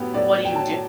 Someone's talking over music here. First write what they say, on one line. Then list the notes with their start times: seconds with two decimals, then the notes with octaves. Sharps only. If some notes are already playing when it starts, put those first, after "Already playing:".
what do you,
Already playing: A2 F#3 B3 G4
0.14 A2 D5
0.42 F#3 G5
0.56 A5
0.70 A2